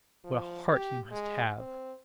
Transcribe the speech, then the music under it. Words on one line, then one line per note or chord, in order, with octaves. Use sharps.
'What a heart you must have!'
F3
G4
G#3
C4